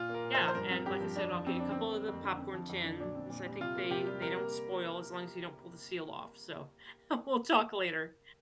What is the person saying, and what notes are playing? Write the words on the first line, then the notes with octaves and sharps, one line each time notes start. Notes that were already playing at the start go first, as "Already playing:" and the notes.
Yeah, and like I said, I'll get you a couple of them popcorn tins, I think they they don't spoil as long as you don't pull the seal off. So we'll talk later.
Already playing: A#2 F4
A#3
A#4
A#2
C5
F3
C5
G2 A#4
C4
G2 G4
F3
F2 D4
F3
F2 C4
D3 D4
C4
A#3
G3
F2
D3
C4
F3
F2
D3
A#2 D4
C4
A#2
G3
C3 F4
A#3
C3 G4
G3
C3 A#4
A#3